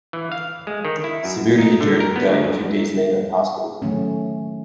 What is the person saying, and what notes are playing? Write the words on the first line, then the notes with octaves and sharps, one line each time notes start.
Severely injured, he died a few days later in hospital.
E3
F5
G#3
D#3
E4
F#2
D#4
D3
A#4
B3
D2
F#2
D#3 F#3 A3 C#4